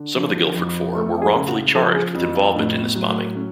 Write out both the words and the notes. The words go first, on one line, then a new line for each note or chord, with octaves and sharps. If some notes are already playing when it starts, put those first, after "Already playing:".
Some of the Guildford Four were wrongfully charged with involvement in this bombing.
Already playing: D3
F3
F2
A3 A4
G#4
C#3
F#4
F3 A4
G#4
F2
F4
A2 D4
B3
F#3
A3
A3 C#4